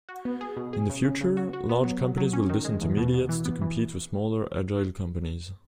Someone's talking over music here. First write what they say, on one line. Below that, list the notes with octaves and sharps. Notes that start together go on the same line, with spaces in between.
In the future, large companies will dis-intermediate to compete with smaller agile companies.
F#4
B3
G#4
B2
G#4
C#3
C#3
C#3
F#4
F#4
B3
F#3
F#3
F#3
C#4
D#3
G#3
E2
B2
B2
E3
B3
E3